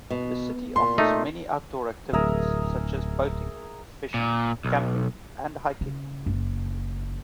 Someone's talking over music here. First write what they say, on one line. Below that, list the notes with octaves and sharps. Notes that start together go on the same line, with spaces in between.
The city offers many outdoor activities such as boating, fishing, camping and hiking.
B2
A#2 C6
A3 D#4
D1 G#4 A#4 E5
A#2
B1
C#3
F#1